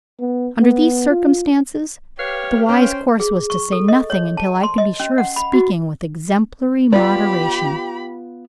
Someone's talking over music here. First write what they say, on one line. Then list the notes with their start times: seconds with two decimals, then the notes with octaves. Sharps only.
Under these circumstances, the wise course was to say nothing, until I could be sure of speaking with exemplary moderation.
0.20 B3
0.61 B3
1.10 F4
2.19 G4 B4 C#5 F5 F6
2.69 C#4 C5 G5
3.20 G#4
3.50 C#6
3.72 A4
3.88 D#5
4.10 C#5
4.37 A5
4.63 C6
4.78 D#5
5.00 C#4
5.18 F#5
5.36 B5
5.53 F#4
6.93 B3 F4 G4 D5 B5